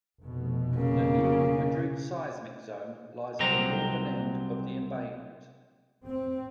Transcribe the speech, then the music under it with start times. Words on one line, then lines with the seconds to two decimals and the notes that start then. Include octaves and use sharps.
The New Madrid Seismic Zone lies at the northern end of the embayment.
0.22 F1 B2
0.77 C#3 A#3
3.40 C2 F#3 C4 A#5
6.07 C4